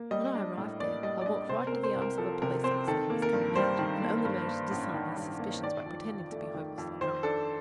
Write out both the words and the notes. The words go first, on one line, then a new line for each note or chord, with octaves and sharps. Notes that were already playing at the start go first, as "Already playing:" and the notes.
When I arrived there, I walked right into the arms of a police-officer who was coming out, and only managed to disarm his suspicions by pretending to be hopelessly drunk.
Already playing: A#3
G3 D#5
D4
A2
A#3 D5
G3 D#5
D5
D4 D#5
C3 C5
A#4
C4
C5
C2
A#4
F3 A4
C3 A#4
C4 C5
D#3 A4
A#3
A#4
G2
G3 C5
D#3
A#3
G2
A#3
A1
D#3
G2
A#3
D#3 D5
F2
F2
A3
D#3
F2
D#3 C5
D4 A4